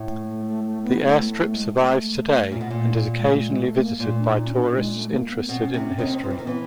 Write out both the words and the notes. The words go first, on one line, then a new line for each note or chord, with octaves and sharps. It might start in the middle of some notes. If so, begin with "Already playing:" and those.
The airstrip survives today, and is occasionally visited by tourists interested in the history.
Already playing: A2
A3
A3
A3
A3
B3
A3
A3
G#3
A3
A#2
B2
A#2
G#3
A3
G#3
A3
A#3
A#2 A3
D4
D4
D#4
C#4
D4
G#3
A3
A#3
B3
B2 C4
C4
C#4
C3
C#4
D#2 D#3
C4
F3 C4
E3
D#3
E3 B3